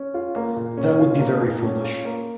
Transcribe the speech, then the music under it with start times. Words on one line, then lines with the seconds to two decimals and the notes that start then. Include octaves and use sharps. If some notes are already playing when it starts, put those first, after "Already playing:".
That would be very foolish.
Already playing: C#4
0.14 F4
0.36 A#3
0.56 A#2
0.77 C#4
0.99 F4
1.20 A#3
1.41 A#2
1.63 C#4
1.84 F4
2.05 A#3